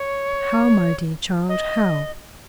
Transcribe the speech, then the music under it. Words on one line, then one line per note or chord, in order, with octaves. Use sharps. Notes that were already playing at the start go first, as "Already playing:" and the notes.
"How, my dear child, how?"
Already playing: C#5
D#5